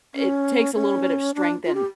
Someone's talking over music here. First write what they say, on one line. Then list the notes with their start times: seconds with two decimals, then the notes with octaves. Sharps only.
it takes a little bit of strength and
0.14 C#4
0.74 C#4
1.34 D4
1.65 F4
1.75 G4